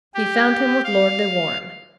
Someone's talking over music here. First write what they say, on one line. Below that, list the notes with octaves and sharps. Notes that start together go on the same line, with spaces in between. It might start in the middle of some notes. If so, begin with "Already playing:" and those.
He found him with Lord de Warenne.
G4
F5